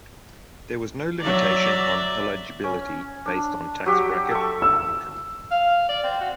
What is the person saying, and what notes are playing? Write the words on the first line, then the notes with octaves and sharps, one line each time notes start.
There was no limitation on eligibility based on tax bracket or income.
F#3 D5 E5 A#5
C#4
D4
F#3 G4
A4 C#6
E6
F5
D5
C4
F#4